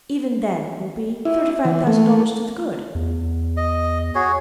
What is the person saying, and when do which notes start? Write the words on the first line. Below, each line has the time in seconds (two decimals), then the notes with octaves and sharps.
Even then we'll be thirty-five thousand dollars to the good.
1.25 E4
1.65 E3
1.87 A3
2.95 E2
3.57 D#5
4.15 F#4 G#4 C#5